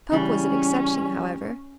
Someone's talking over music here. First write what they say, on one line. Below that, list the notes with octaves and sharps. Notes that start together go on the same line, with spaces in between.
Pope was an exception, however.
C#3 E3 G3 C#4